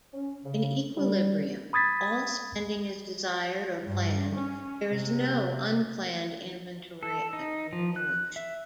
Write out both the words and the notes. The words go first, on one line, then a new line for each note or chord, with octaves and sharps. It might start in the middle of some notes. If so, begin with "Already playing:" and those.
In equilibrium, all spending is desired or planned; there is no unplanned inventory accumulation.
C#4
C#3
G3
B5 D#6 G#6 A6 B6
G2
C#4
C3
A4
D#4
F3
F#6
E5